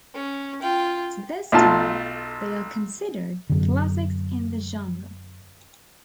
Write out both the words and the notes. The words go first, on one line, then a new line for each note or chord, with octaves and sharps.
To this day, they are considered classics in the genre.
C#4
F4 G5
B1 A3 F4 A5
F#2 D3